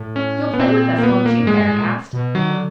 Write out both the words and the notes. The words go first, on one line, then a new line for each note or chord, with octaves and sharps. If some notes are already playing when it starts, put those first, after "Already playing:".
"You'll play with us, won't you?" Eric asked.
Already playing: A2
C#4
B3
A#2 C4
A#3
B3
A#3
G#2
A2 G#3
G2
A2
A#2
B2
D#3 F#3
D3